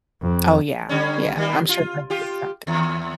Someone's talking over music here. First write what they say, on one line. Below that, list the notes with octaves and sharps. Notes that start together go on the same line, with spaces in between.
Oh, yeah, yeah, I'm sure that's just something
F2
D3 G3 C#4
D#3 G3 A#3
F4
F4 G4
D#2